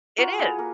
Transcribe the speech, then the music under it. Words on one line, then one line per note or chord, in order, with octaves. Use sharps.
It is.
F4 F#4 A#4
G#4 B4
A#3 A#4